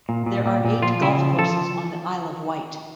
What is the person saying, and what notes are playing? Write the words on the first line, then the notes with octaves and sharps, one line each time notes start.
There are eight Golf courses on the Isle of Wight.
A#2
A#2
A#2
A#2
F3 F4
C#3 E4
F3
F3 A4